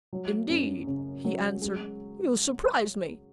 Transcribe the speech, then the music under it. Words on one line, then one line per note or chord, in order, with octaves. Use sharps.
'Indeed,' he answered, 'you surprise me.
F#3
F#2
C#3
F#3
G#3